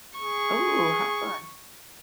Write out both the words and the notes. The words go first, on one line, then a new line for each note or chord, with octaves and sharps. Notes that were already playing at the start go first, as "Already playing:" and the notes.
Ooh, how fun.
G#4 C#6